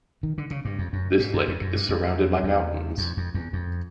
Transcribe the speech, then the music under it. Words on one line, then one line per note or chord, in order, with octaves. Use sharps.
This lake is surrounded by mountains.
D#3
D3
C#3
G2
F2
F#2
G#2
F#2
F2
F#2
G2
F2
E2
F2
F2
E2
F2